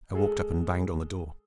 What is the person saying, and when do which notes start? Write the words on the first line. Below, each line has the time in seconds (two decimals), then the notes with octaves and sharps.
I walked up and banged on the door.
0.13 G#3 G#4 A4